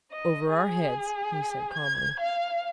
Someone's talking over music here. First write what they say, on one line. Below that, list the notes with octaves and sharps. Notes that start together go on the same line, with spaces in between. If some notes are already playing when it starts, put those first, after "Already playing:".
"Over our heads," he said calmly.
D#5
G#4
G#6
F5